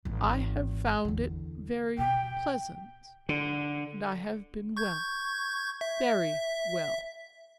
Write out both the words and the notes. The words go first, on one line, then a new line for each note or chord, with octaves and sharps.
I have found it very pleasant--and I have been well--very well.
G#1 E3
E2 D3
B2 G5
D3
C#6 G6 G#6
E5